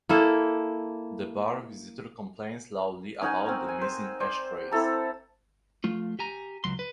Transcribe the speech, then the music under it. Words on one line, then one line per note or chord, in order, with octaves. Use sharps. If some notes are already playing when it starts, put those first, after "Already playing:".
The bar visitor complains loudly about the missing ashtrays.
A#3 E4 A4
C#4 D#4 F#5 G#5
C4 A#4
G#5
C5
C5 D5
C4 E4 A4 A#5
F3 A3 F4
G4 G#5 A#5
C#2 F#3 C6
B4